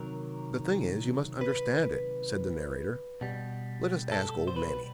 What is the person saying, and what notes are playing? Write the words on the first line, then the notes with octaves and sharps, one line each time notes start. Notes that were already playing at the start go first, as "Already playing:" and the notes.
"The thing is, you must understand it," said the narrator; "let us ask old Nanny."
Already playing: C3 D#3 F#3 A#4
B4
B2 G3
A4
C5
B4